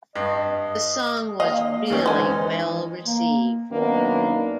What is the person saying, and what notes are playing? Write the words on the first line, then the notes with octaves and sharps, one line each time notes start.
The song was really well received.
G2 D#5
A#3 D#5 F5
D2 D#3 E3 C#4
G#3 C#4 C5 G#5
D#4
A#3
F#2 D#3 A#3 B3 D4